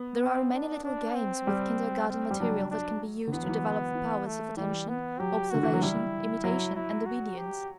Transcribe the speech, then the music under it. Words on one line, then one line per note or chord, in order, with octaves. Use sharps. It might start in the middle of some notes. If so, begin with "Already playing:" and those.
There are many little games with kindergarten materials that can be used to develop the powers of attention, observation, imitation, and obedience.
Already playing: B3
C4
D4
D4
C4
G3
C4
G3
F#3 D4
D4
D3
E3 B3
F#3
E3
E3
A3
E3 G3
B3
F#3 G4
D3 F#4
E3
F#3
G3 E4
F#3
E4
F#4
G4